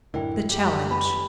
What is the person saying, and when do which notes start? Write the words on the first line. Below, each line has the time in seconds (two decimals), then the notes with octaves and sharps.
The Challenge.
0.14 F#2 A2 D3 E4 A#4 D5 G5
0.50 F#2 G3 G4
0.91 B3 G#5 B5